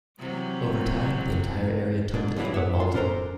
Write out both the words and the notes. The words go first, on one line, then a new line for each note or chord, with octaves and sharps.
Over time, the entire area took the name of Mauldin.
C3 E3 F#3
G#2 D4
G2 B2 E3 F#3 D4 E4
E5 F#5
F4 C6
C#4 D4 A4 A#4 C5 A#5